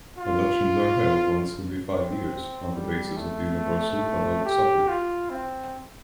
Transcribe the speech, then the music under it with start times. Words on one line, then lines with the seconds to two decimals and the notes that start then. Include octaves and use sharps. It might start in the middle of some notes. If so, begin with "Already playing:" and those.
Elections are held once every five years, on the basis of universal adult suffrage.
0.19 F4
1.89 C4
2.75 G3
3.17 A3
4.45 G4
4.89 F4
5.30 C4